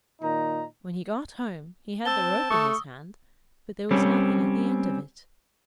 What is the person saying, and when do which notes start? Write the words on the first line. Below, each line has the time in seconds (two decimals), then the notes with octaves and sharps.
When he got home he had the rope in his hand, but there was nothing at the end of it.
0.21 A#2 D#3 D#4 A#5
2.05 C4 A5 E6 G7
2.51 A3 C#6 D#6
3.91 G3 C4 C#4